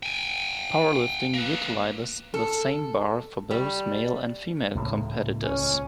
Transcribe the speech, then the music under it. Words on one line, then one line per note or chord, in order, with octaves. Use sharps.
Powerlifting utilizes the same bar for both male and female competitors.
G5 G#5
A#3 B4
A4
G3
C#2 A2 A#3
C#2 C#4